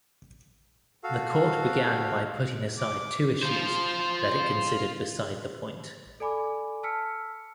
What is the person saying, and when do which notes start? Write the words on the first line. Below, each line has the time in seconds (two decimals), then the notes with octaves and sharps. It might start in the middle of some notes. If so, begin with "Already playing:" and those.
The Court began by putting aside two issues that it considered beside the point.
1.03 F#4 A4 F5
2.78 D6
3.43 F4 C5
6.20 A4 D5 G#5 B5 D6
6.83 A5 E6 F6 B6 C#7